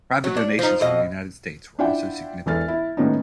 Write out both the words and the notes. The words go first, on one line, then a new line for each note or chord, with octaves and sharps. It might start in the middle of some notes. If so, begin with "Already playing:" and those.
Private donations from the United States were also significant.
F#3
D4
F3 D#4
F2 B2 D#5
D4 E4 F4 E5 F#5 G5
E1 E3 A4 F6 A6
E4
A2 D#3 A#3 B3 C#4 D#4